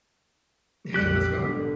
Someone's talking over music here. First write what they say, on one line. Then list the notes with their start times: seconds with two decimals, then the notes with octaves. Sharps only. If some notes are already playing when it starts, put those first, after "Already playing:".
Hey. How's it going?
0.94 B1 F2 A#2 G4 F#6
1.33 G#1 B2 D3